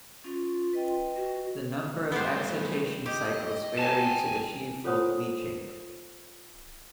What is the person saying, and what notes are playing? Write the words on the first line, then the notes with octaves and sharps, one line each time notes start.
The number of excitation cycles vary to achieve full bleaching.
C#4 F4
B4 D#5 G5
F#4
G#3 A3 B3 G4 C5
G4 D#5
G#5 A5
F4 A4 C5 C#5 F#5 D#6